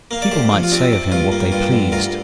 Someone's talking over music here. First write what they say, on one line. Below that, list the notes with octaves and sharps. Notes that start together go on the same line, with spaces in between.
People might say of him what they pleased.
A#3 F5
D5
D2 G4 C5
F3
F4
C4 D4 G4
C3
G2 F4
A#3
G2 F4
D3
D2 F4 A#4